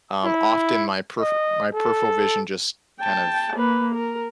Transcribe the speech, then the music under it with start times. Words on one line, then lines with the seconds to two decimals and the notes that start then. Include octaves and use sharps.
Um, often, my perf my peripheral vision just kind of,
0.24 E4
1.20 D#5
1.73 A4
3.01 G5 A5
3.56 A#3 B4
3.94 A#4